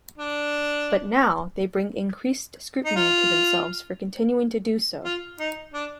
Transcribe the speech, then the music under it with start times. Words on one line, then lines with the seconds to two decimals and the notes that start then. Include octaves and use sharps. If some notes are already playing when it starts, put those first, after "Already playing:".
But now they bring increased scrutiny to themselves for continuing to do so.
0.18 D4
2.85 D#4
2.96 F4
5.04 F4
5.39 D#4
5.74 D4